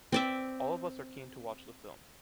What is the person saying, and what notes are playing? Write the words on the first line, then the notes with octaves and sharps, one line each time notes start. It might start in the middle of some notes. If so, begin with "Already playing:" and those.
All of us are keen to watch the film.
C4 D5 E5